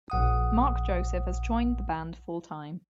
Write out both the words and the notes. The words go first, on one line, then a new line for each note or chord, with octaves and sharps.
Mark Joseph has joined the band full-time.
A#1 F#5 D#6